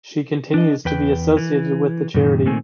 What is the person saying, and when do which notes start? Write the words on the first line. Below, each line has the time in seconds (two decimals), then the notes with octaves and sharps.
She continues to be associated with the charity.
0.54 D4 D#5
0.85 E2 B4 G5
1.37 E3
2.14 F#2 A#2 D#3
2.46 A#2 D#3 A3 C4 G#5